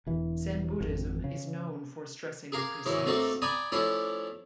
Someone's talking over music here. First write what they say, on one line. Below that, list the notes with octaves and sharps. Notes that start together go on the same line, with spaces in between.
Zen Buddhism is known for stressing the precepts.
E1 E3
G#1 F2
C#3
G#4 A#4 F5 D6
G#2 D#3 E3 F#3
A3 A#3 C4 D4 D#4 F#4
D5 G5 G#5 A#5 B5 D#6
F3 A3 C#4 D4 E4